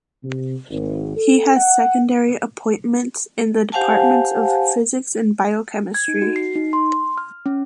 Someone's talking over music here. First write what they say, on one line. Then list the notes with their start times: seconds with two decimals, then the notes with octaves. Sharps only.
He has secondary appointments in the departments of Physics and Biochemistry.
0.24 C3
0.70 G#1
1.16 A4
1.56 F#5
3.72 G4 C5 F5 F#5 G#5 A5
5.94 G#6
6.08 D#4
6.22 F#4
6.36 C7
6.56 D#4
6.73 C6
7.18 F6
7.46 C#4